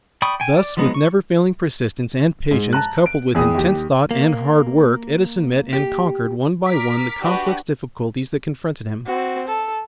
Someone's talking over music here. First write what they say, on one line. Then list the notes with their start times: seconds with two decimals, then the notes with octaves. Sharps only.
Thus, with never-failing persistence and patience, coupled with intense thought and hard work, Edison met and conquered, one by one, the complex difficulties that confronted him.
0.22 D5 G5 B5 C#6 D#6
0.40 G5 G#5
0.57 D5
0.77 F3 F#3 G#3 B3 D#4
0.94 C#6
2.51 G#2
2.73 A5 A#5 F#6
3.06 D7
3.35 E2 G#4 G5 D#6
3.55 D#2 G4
4.11 A#3
5.73 G4
6.68 A#4 D6 B6
7.21 D4 F#4 G4 B4
9.06 C4 F#4
9.48 A4